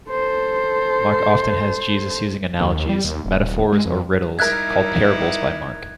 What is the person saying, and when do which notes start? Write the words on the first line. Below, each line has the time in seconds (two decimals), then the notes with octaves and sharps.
Mark often has Jesus using analogies, metaphors or riddles, called parables by Mark.
0.10 A4 C5
2.61 D#2
2.89 G3
3.05 D#2
3.26 D#1
3.72 G#3
3.86 F2
4.39 G3 D#4 E4 A#4 E5 F#6 G#6